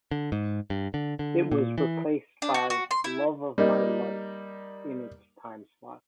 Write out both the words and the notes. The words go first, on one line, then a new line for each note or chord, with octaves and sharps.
It was replaced by "Love of My Life" in its timeslot.
D3
G#2
G2
D3
D3
A#2
E3
D4
F#4
F#4
C6
E4
G3 A#3 D#4